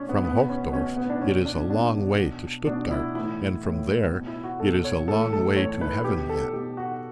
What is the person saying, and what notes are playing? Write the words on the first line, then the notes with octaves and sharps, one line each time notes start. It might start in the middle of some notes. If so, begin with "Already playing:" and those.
From Hochdorf it is a long way to Stuttgart, and from there it is a long way to heaven yet.
Already playing: B2 C#4 D4
B3
B2 B3
C#4
B2 C#4
B3
D4
B2 C#4
D4
B2 D4
B2
B2 D4
E4
A2 E3 E4
A2 E3
B2
E4
F#4
B2 A4
C#5
A2 E3 A4
A4
A2 E3 C#5
B4
B2 G4
A4
B2 G4
F#4